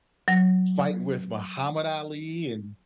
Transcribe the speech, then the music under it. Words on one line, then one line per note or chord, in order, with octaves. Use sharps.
fight with Muhammad Ali and
F#3 A#6